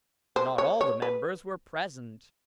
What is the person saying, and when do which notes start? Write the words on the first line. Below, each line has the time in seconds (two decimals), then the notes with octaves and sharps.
Not all the members were present.
0.36 C5
0.58 C#5
0.81 C#5
1.02 B4